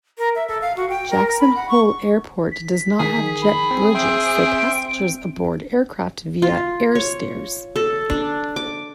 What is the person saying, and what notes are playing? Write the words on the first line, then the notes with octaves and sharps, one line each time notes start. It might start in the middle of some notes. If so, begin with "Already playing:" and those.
Jackson Hole Airport does not have jet bridges so passengers board aircraft via airstairs.
A#4
E5
A4
F5
F#4
G5
A#4
A#4
B5
F#5
C#6
B6
D#3 G#4
B5
C4
E5 G5 C6 D7
F4
C#5
A4
D4
D6